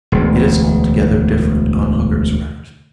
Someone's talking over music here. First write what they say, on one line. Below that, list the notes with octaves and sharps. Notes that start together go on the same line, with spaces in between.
It is altogether different on Hooker's ranch.
E1 D2